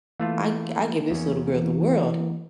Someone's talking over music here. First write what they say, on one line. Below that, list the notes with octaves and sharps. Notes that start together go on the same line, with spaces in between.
I I give this little girl the world,
E3 A3 A#3 F4
E2 C#4
E3